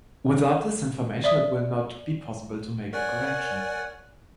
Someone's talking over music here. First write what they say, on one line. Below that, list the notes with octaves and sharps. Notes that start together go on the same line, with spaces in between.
Without this information it will not be possible to make a correction.
D5 E5 D#6
A#4 C#5 D5 F#5 G#5